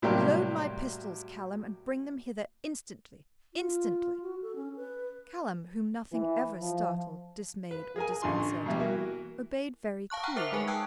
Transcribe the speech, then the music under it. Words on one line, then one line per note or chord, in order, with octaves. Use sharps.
Load my pistols, Callum, and bring them hither instantly-- instantly!' Callum, whom nothing ever startled, dismayed, or disconcerted, obeyed very coolly.
A2 C3 F#3 G3 A#3 G4
F4
F#4
A4
C#4
B4
E3
F3
B4
G#4 A#4 G#5
A1 D3 F4 G#5 C6
B2 E3 G3
E3 A#3 F#4
F5 A5 C#6 F#6
F#5 G5 A#5 C#6 F6 F#6
A#4 C5 E5 D6 C7 F7
G#3 D#4 G#4 B4 G#5 C#6
G5 A5 D#6 E6 F#6 G#6